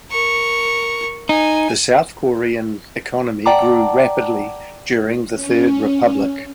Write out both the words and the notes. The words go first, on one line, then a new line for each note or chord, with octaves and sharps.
The South Korean economy grew rapidly during the Third Republic.
A#4 C#6
D#4 G#5
D5 F#5 G5 A5 A#5 D6
C#4